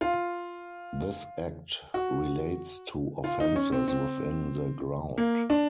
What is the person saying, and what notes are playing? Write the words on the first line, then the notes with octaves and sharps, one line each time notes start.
This act relates to offences within the ground.
F4
F#4
F4
D#4
C#4
C4
C4
A#3
D4